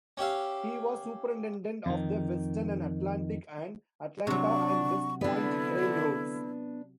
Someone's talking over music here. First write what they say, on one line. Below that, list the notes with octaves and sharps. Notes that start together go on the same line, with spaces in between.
He was superintendent of the Western and Atlantic and Atlanta and West Point Railroads.
C#4 G4 E5 F5
F2 D#3
C3 F#3 D4 C#6
D3 B3 D4 E4